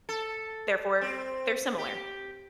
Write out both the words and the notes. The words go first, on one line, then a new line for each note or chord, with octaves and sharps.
therefore, they're similar,
A4
C4
G4